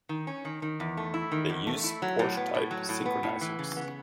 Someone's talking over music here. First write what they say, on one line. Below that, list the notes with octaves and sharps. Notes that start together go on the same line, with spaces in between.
They use Porsche-type synchronizers.
D#3
C#4
D#3
D#3
E2
A3
E4
D#3
E2
A3
E4
F#3
A2
B3
A2
F#3
A2
B3
A2
E3
C#3
B3